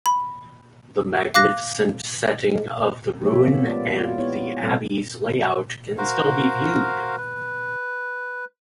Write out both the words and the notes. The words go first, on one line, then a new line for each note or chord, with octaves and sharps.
The magnificent setting of the ruin and the Abbey's layout can still be viewed.
B5
F5 D6 F#6 A#6
F3 A#3 G4 C5 C#5 E5
B3 C#4
G#3 B3 C4 F4 D5
F4
B3 E4 G4 C#5
G3 A3 C4 A4 C5 F5
F#4 A#4 C5 F5
B4